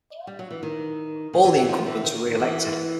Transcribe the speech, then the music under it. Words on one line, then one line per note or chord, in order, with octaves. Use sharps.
All the incumbents were re-elected.
G3
F#3
E3
D#3
D#3
E3
E3
F3
E3
D#3
D#3
D#3
E3